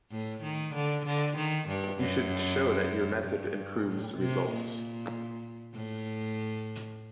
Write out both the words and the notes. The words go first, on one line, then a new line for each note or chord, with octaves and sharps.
You should show that your method improves results.
A2
D#3
D3
D3
D#3
G2
F#2
G2
A2
C3
A#2
A2